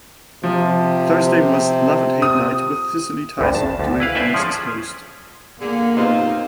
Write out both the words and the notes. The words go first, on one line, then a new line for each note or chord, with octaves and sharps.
Thursday was "Love and Hate Night" with Cicely Tyson doing honors as host.
C3 F3
D#6
G#1 D2 G2
A5
D2
E4 B4 F5
B4 C5 D5 E5 G5 G#5
F3 C#4 G#4
A#2 D3 A#3 G#4
C3 B3 C4 D#4 F4